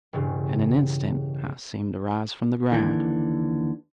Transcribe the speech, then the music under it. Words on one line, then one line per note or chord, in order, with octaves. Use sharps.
In an instant I seemed to rise from the ground.
E1 G2 C#3
D#2 D3 E3